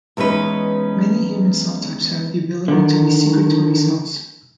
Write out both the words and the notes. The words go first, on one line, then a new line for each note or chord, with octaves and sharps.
Many human cell types have the ability to be secretory cells.
E2 G#3 C#4 D#4 B4
D3 D#3